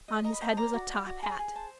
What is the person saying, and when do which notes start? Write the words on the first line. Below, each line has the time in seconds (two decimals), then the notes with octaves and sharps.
On his head was a top-hat.
0.08 D#5
0.24 D#5 A#5
0.33 B5
0.41 C5 A#5
0.49 A5
0.57 D5 A#5
0.73 F#4
0.90 D5
1.06 F#4
1.23 G#4 A#5
1.39 G#4
1.55 C5 A5